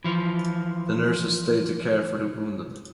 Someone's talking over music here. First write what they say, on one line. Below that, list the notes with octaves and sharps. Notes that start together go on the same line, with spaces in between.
The nurses stayed to care for the wounded.
E3 F3